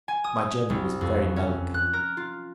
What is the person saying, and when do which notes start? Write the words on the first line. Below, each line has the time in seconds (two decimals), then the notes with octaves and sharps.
My journey was very melancholy.
0.08 G#5
0.24 D#6
0.70 C2
1.01 F2
1.36 C#4
1.74 F#6
1.93 A#4
2.17 F4